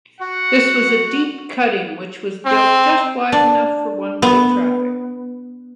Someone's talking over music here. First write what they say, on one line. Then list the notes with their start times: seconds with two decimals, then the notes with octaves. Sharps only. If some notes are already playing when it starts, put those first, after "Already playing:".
This was a deep cutting which was built just wide enough for one-way traffic.
0.20 F#4 F#5
2.46 C4
3.32 D4
4.22 B3